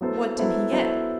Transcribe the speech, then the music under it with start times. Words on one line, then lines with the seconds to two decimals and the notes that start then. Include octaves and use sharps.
"What did he get?"
0.01 F#3 B3 E4 A4 C5
0.37 F#3 B3 E4 A4 C5
0.72 F#3 B3 E4 A4 C5